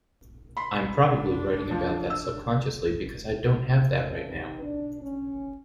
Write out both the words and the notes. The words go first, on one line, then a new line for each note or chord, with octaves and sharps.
I'm probably writing about that subconsciously because I don't have that right now.
B5 C6
D4
F3
E6
C#3 F3 A3 C4 A4 A#4
C3 D#3 B4
D4
C#4